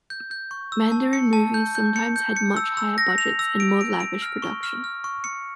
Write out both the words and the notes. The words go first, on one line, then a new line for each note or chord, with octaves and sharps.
Mandarin movies sometimes had much higher budgets and more lavish production.
G6
G6
C#6
E6
A5
C#7
A5
G6
G6
C#7
G6
C#7
E6
E6
A#6
F7
E6
D7
D7
D7
F6
C#6
F6
F6
C#6
C#7